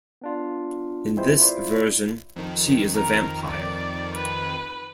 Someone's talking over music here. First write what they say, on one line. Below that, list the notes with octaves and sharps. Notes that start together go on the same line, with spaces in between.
In this version she is a vampire.
B3 D4 F4
E3 G#3 C4 E4 F4 C5
E4 F4 C5 D5
F2 D#3
A#4
D5
B4